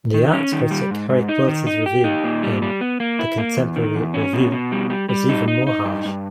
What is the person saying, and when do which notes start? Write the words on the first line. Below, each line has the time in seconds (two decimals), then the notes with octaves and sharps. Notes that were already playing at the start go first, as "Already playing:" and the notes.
The art critic Harry Quilter's review in "The Contemporary Review" was even more harsh.
0.14 D#3
0.33 C#4
0.52 D#3
0.71 G3
0.91 G#2
1.10 G#2
1.29 D#4
1.48 D#3
1.67 D#4
1.86 G4
2.04 D#4
2.24 A#2
2.43 G3
2.62 G3
2.81 B3
3.00 A#3
3.19 E4
3.38 A#3
3.57 E2
3.76 D#3
3.95 E2
4.14 C#4
4.33 B2
4.52 B2
4.72 G3
4.90 G3
5.09 G3
5.29 D#4
5.48 D#4
5.67 D#4
5.85 G2
6.05 G2